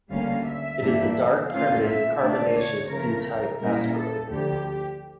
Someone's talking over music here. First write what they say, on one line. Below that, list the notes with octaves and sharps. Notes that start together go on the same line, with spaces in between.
It is a dark, primitive carbonaceous C-type asteroid.
D2 D3 G3 A#3 C#4 F5
E5
G2 E3 G3 A#3 D4
A#2 A3 C#4 F4 F5
E5
D3 A3 D4 D5
C#5
C#3 F3 A3 A#4
A#2 G3 A#3 C#4 E4 A#4
A4
D2 D3 F3 G4